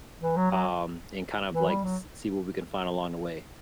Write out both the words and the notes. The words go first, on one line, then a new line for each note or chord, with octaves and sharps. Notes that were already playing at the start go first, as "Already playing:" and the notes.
um, and kind of like s see what we can find along the way,
E3
F#3
F#3
E3
G3
F#3